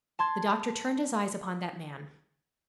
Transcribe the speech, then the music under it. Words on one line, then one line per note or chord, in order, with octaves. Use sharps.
The Doctor turned his eyes upon that man.
A5 C6 G#6